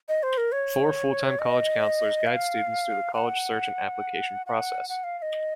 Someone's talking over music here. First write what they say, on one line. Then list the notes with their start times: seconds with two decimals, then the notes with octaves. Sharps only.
Four full-time college counselors guide students through the college search and application process.
0.09 D#5
0.23 C5
0.38 A#4
0.52 C#5
1.39 D#5
2.27 F5
3.14 F#5
4.46 F#5
4.89 F#5
5.04 F5
5.19 F5
5.22 D#5